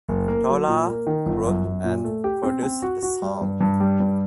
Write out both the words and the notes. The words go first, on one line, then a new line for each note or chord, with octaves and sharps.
Dolla wrote and produced the song.
F#1
A#3
F#3
A#2
A#3
D#3
G1
F#2
F#2
A#2
A3
G4
C4
C4
F#4
F#4
G3
G2
G2
G3
G2